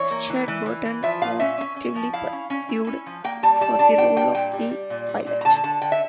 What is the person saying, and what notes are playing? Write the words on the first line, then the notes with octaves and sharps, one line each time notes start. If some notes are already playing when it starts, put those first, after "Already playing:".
Richard Burton was actively pursued for the role of The Pilot.
Already playing: E3 C#5
A#3
E3
E3
E3
E3
F3 E5
A#2 F5
C#4 E5
C#4
C#4
F3
E4 F5
C#4
C#4
E4
C#4
F3
A#3 G5
G3 A5
G3 A5
D4 A5
G3 G5
G3 G5
A#2 G5
G3
G3
A#2
G3
A#2
A#5
D3 A5
D3 A5
D3 G5
E5